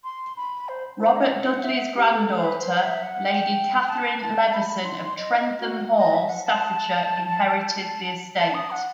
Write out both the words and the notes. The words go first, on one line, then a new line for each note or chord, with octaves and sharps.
Robert Dudley's granddaughter, Lady Katharine Leveson of Trentham Hall, Staffordshire, inherited the estate.
C6
B5
C5
C5
D#5
F#5
E5
G4
A4
C5
B4
C5
E5
F#5
G5
G5
A5
A5
A5
B5
C6
D#5
D#5
F#4
D#5
E5
F#5
A5
A5
D#6
F#5